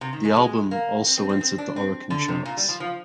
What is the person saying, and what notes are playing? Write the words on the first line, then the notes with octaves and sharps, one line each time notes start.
The album also entered the Oricon charts.
C3
D#3
G#3
G#3
A#3
C4
C4
C4
C4
D4
C4
D3
C3
A#2
G3
F3
F3